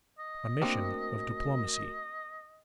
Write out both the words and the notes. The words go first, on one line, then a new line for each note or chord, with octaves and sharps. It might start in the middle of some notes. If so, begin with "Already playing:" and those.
A mission of diplomacy.
D#5
A3 A#3 C4 D4 F#4 A#4